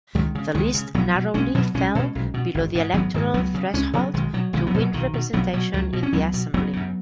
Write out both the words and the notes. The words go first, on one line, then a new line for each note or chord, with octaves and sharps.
The list narrowly fell below the electoral threshold to win representation in the assembly.
C#2 D#3 G#3
C#3
C#2 D#3 G#3
C#3
B1 F#3 B3
B2
B1 G#3 C#4
B2 F#3 B3
B1 G#3 C#4
B2
B1
B2
G#1
G#2
G#1 F#3 B3
G#2 D#3 G#3
C#2 F#3 B3
C#3
C#2 G#3 C#4
C#3 F#3 B3
B1 D#3 G#3
B2 F#3
B1 D#3 G#3
F#3 B3
B2
F#3
B1 D#3
B2
B1 F#3 B3
B2 F#3
C#2 F#3
B2
C#4
C#2 F#3 B3
B2
F#1 F#3 B3
F#2 C#3